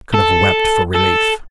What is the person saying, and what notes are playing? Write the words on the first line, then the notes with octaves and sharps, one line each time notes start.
I could have wept for relief.
A4
A4